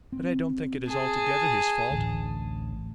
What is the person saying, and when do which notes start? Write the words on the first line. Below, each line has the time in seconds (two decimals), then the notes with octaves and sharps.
But I don't think it is altogether his fault.
0.12 C4
0.87 G#4 A5
1.91 A1 D2